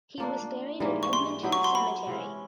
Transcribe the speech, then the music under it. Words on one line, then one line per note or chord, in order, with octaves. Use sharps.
He was buried at Edmonton Cemetery.
F3 A#3 D4
G#2 E3 G3 A#3
C#6
C6
F#3 B3 E4 G4
C#6
C6
B5
C3 E3 G#3 C#4